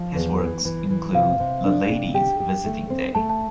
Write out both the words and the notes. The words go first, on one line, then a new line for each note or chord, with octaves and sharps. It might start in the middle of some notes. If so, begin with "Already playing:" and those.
His works include "The Ladies Visiting Day".
Already playing: F3
E2
E3
E3
E3
C3 F5
C3
D4
C3
G4 G5
G4
A3
C4
A3 A5
A5